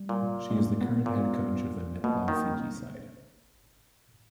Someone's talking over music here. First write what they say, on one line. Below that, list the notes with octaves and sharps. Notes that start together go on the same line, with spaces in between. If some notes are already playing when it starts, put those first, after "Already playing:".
She is the current head coach of the Netball Fiji side.
Already playing: G3
A#2
G#3
A#3
B3
A#2
B2 A#3
D#3